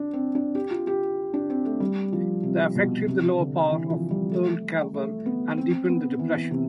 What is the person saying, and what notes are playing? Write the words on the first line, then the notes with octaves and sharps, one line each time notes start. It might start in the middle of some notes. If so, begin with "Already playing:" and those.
The affected the lower part of old Carver and deepened the depression.
Already playing: D4
C4
D4
G4
F4
G4
D4
C4
A3
G3
F3
C3
B2
C3
D3
E3
F3
G3
A3
A3
B3
C4
B3
E3
C3